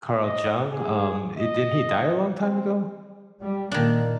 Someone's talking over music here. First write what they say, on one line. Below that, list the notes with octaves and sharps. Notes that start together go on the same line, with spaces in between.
Carl Jung? Um, eh, didn't he die a long time ago?
D#5
G#4
D#5
C4
G3
A#2 D#3 A#3 D4